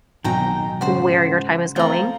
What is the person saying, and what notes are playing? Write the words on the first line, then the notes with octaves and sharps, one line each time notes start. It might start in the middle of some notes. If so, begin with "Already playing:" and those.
where your time is going
B1 D#3 F#3 D#4 G5 G#5 A#5
G#2 C#3 F#4 C5
F3 A3 C4 F4 A#5 F#7